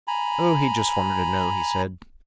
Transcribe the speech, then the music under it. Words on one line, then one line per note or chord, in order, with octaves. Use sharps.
Oh, he just wanted to know, he said.
G#5 A#5 B5